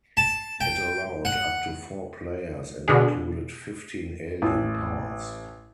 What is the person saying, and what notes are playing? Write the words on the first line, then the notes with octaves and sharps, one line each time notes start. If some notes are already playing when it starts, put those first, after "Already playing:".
It allowed up to four players and included fifteen alien powers.
A5
G5
F#5
B2 D3 D4 G#4
A1